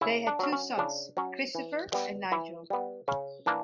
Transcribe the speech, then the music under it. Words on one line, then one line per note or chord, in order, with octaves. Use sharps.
They had two sons, Christopher and Nigel.
C#3 E4
D4
F#3 C#4
C#4
C#3 D4
F#3 C#4
E3
G3 B3
E3 E4
G3 B3
C#3 C#4
E3 A#3 D4